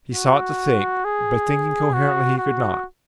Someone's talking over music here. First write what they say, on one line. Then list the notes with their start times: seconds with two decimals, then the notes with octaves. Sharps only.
He sought to think, but thinking coherently he could not.
0.15 F#4
1.04 G#4
1.93 F#4
2.38 F#4